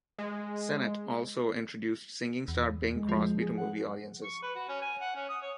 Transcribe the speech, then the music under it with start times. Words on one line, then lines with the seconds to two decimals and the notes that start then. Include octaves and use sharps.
Sennett also introduced singing star Bing Crosby to movie audiences.
0.19 G#3
2.48 E2
2.95 G#3
3.09 F3
3.41 G#4
3.58 F#5
4.24 C#6
4.42 B4
4.55 F#4
4.69 C#4
4.82 G#5
5.01 F#5
5.15 C#4
5.29 D#6
5.42 C#5